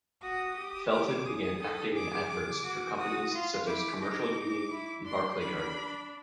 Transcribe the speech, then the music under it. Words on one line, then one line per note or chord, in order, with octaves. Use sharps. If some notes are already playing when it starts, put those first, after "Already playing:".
Felton began acting in adverts for companies such as Commercial Union and Barclaycard.
F#4 D#6
G4
D6
G#4 D#6
A4
G#4 D6
D6
F#4
F#4 D#6
F4
E4 D6
D#4 D6
E4
D4 C6
D4 B5